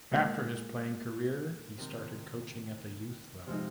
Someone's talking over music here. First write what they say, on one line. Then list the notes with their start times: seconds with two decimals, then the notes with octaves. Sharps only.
After his playing career he started coaching at the youth level.
0.11 A#2 G#3 D#4
1.78 C3 D#3 C4 D#4
3.47 C3 F3 G#3 D#4